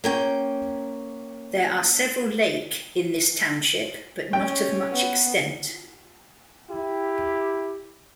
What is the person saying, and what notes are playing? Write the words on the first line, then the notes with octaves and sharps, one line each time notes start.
There are several lake in this Township but not of much extent.
A#3 C#4 G5
C#4 G5
B3
E4 G4